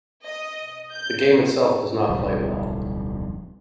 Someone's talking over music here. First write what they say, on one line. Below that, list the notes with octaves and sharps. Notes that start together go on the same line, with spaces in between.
The game itself does not play well.
D#5
G6
D1 B1 F2 G3